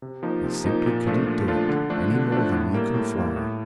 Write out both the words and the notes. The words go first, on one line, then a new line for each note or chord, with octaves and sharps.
He simply couldn't do it, any more than you can fly.
C3
F3 A#3 D#4
C3
F3 A#3 D#4
A#2
F3 A3 D4 F4
A#2
F3 A3 D4 F4
D3
F3 A3 D4
D3
F3 A3 D4
A2
G3 A#3
A2
G3 A#3
A2